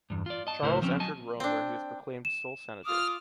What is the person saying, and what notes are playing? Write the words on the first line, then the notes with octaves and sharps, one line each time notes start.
Charles entered Rome where he was proclaimed sole senator.
E2 G2
F4 D5
D#5 A5
C#2 A2 E4 A#4 C5
C#2 F3 C4 C#4
F#3 D#5 G#5 A5
C4 D4
E7
F4 D6 D#6 F6